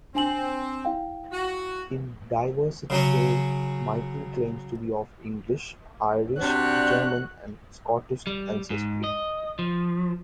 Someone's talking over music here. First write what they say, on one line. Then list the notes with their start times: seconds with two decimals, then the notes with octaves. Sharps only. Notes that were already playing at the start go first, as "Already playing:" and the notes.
In "Diversity Day", Michael claims to be of English, Irish, German and Scottish ancestry.
0.15 C4 D4 G#5 F#7
0.85 E4 F5 G5
1.32 F#4
2.90 C#3 F#3 C#4
6.40 C3 D4 F#4 F#6
8.27 G3
8.70 G#2
9.04 D#5
9.59 F3